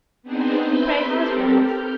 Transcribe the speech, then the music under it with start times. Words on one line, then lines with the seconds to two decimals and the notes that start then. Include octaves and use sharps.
Pray, how is Brittles?'
0.23 B3 C4 D4 D#4 G#4 C5
0.66 B4 C5 E5 B5 C6
1.04 C4 G4 A4 A#4
1.62 F6 G6